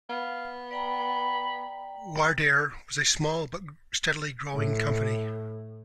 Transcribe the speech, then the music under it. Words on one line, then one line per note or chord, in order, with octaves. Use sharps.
Wardair was a small but steadily growing company.
B3 F5
D5 G5 A#5 B5
A2